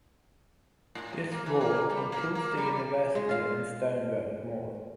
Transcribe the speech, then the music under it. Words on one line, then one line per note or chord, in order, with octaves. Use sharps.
This ward includes the University and Stone Road Mall.
A2
A#3
E3
A#3
G3
A#3
A#3
G3
G#3
F4 F5